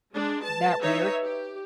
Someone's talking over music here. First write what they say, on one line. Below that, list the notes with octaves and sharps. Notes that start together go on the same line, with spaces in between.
Isn't that weird?
G#3 D4
B4 A5
D#4 C#5 E5
G4